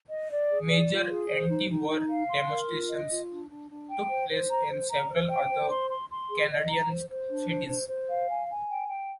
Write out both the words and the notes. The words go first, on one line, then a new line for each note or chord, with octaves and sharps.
Major anti-war demonstrations took place in several other Canadian cities.
D#5
D5
G#4
D5
F4
G#4
C5
D#4
D#4
D#4
F5
C6
A#4
F4
D#5
F4
D4
D4
D4
G5
C5
C5
A#5
C5
A#5
C5
G5
C5
C6
C6
C6
G#4
D#5
A#5
C5
C5
D4
C5
C5
C5
F5
G#5
G#5
G5
G5